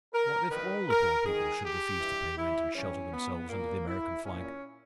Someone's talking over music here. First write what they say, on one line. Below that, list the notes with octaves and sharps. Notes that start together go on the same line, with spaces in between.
What if all the poor people should refuse to pay rent and shelter themselves under the American flag?
A#4
G2 D#3 B4
A#4
G#2 D#3 G#4
G4
G2 E3
E4
G2 E3 C#4
B3
A#2 A#3
E4
A#2 C#4